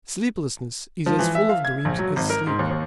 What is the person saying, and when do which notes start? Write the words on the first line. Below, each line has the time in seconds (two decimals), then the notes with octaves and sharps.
Sleeplessness is as full of dreams as sleep.
1.06 F3
1.19 E3
1.35 E5
1.49 F5
1.65 G#6
1.85 A#1
1.99 F#3
2.16 G#1
2.30 A#4
2.47 G#2
2.59 D#2
2.71 D#2